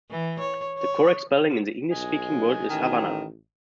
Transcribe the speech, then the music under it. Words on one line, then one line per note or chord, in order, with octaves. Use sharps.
The correct spelling in the English speaking world is Havana.
E3
C#5
C#5
B1 D#5 G#5
A1 D#3